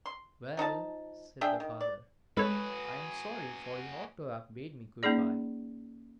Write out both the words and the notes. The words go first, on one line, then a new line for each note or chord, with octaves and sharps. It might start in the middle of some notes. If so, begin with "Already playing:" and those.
"Well," said the father, "I am sorry; for he ought to have bade me good-bye."
C6
F3 D#4 A4 A5
D4 G#4 E5 G5
D#3
D5
G#3 F#4 G#4 A4 B4 C#5
A#3 C#4 D#4 G#4 D5